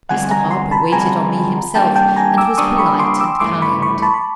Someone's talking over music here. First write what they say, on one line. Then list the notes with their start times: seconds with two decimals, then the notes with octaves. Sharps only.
Mr. Harper waited on me himself, and was polite and kind.
0.09 D3 G3 C4 F4 G#4 F#5 G#5
0.30 G#5 A#5
0.51 A#5 C6
0.71 A5 B5
0.92 D3 G3 C4 F4 G#4 G#5 A#5
1.75 G3 A#3 D4 G5 A5
1.96 G5 A5
2.16 G#5 A#5
2.38 D6 E6
2.58 G3 A#3 D4 C#6 D#6
2.78 B5 C#6
2.99 C6 D6
3.20 D6 E6
3.40 G2 E3 A3 C6 D6
3.62 B5 C#6
3.82 B5 C#6
4.02 A5 B5
4.14 B5